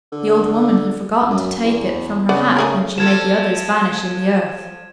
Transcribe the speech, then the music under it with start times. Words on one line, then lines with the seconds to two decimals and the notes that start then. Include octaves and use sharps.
The old woman had forgotten to take it from her hat when she made the others vanish in the earth.
0.12 D3
1.31 F#2
1.64 E2
2.29 C#3 B4 D5 F#5
2.57 A3 G#4 A#4
2.98 F3 A4 G#6 E7